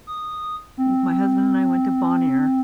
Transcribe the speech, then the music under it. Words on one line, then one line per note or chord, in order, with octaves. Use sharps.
my husband and I went to Bonaire,
D#6
C4